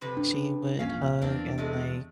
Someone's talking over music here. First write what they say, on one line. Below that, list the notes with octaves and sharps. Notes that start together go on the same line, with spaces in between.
like, she would hug and, like,
F2 C3 B4
D4
E1 A#1 A#2 C#4 F5
E2 A#3 C4 D4
C3 G#3 A3